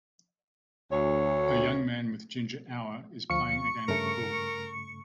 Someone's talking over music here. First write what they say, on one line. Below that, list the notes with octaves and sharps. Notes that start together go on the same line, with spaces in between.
A young man with ginger hour is playing a game of pool.
D2 C#5
D2 F3 F5 C#6 C#7
G2 C#3 A3 A#4